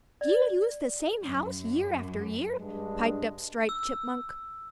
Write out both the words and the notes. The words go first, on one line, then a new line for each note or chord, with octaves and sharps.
"Do you use the same house year after year?" piped up Striped Chipmunk.
D5
F#2
G2 G#3 D4
E6